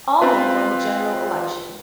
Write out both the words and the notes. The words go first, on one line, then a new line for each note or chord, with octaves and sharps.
Almond won the general election.
C4 F4 B4